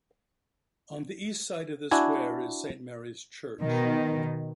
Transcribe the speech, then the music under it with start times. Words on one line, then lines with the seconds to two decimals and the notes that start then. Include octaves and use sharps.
On the east side of the Square is Saint Mary's church.
1.91 D4 E4 F#4 G#5
3.62 B2 D#3